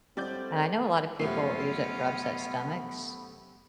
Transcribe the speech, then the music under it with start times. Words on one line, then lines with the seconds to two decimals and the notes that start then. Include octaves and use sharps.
And I know a lotta people use it for upset stomachs,
0.17 A2 D3 G3 G#3 C4 D5 G6
1.20 F#2 C3 F3 A3 B3 C#4 F4 C7